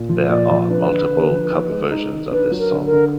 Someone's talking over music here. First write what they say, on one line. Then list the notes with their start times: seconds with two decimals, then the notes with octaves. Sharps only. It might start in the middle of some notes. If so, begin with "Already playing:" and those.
There are multiple cover versions of this song.
Already playing: A#2
0.09 F3
0.30 A#2 D5
0.50 F3
0.70 D4 B4
0.90 D3
1.11 D3
1.31 F3
1.51 D#4
1.71 G#3
1.91 D#4
2.12 D#3
2.31 D4 B4
2.52 F#3
2.59 A#4
2.72 D3
2.86 A#4
2.92 D3